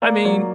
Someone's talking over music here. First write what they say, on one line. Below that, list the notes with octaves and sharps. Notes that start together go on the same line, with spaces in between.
I mean,
A#3 D5
F#3 D5